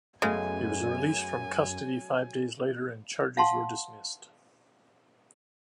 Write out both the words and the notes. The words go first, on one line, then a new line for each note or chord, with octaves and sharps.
He was released from custody five days later and charges were dismissed.
F#2 C#3 F#3 G#3 A3 B3 G#5
F5 F#5 A5 C6